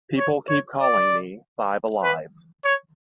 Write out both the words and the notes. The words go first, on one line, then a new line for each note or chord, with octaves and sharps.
People keep calling me Five Alive.
C#5
C#5
D5
B4
C#5